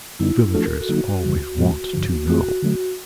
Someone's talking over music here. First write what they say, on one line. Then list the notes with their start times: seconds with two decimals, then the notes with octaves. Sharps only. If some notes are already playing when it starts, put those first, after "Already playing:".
Villagers always want to know.
0.19 F#2 D3 G3 B3 D#4 E4
0.54 F3 A3 D4 F4 F#4 A4
0.62 A#4
0.72 A4
0.80 F#4
0.89 D3 F#3 A#3 D#4
1.24 F2 C#3 E3 G3
1.58 A2 F3 G#3 C4 F#4
1.93 G2 D3 F3
2.28 E3 A3 C4 F4 F#4 G#4
2.62 D3 F#3 A3